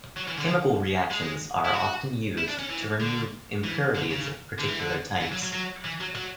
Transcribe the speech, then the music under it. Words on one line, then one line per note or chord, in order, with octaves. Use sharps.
Chemical reactions are often used to remove impurities of particular types.
F#3
E3
D3
G#3
E4
F#4
E4
D4
C#4
E3
D3
E3
D3
C#3
D3
E3
D3
E3
F#3
F#3
F#3
E3
F#3
F#3